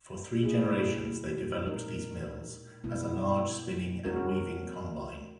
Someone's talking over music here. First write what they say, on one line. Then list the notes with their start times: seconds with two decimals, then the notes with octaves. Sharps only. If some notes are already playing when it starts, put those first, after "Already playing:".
For three generations they developed these mills, as a large spinning and weaving combine.
0.43 B2 A#3 E4 G#4
1.64 A#2 G#3 D#4 A#4
2.84 B2 G#3 B3 E4
4.05 G#3 C#4 F#4 A#4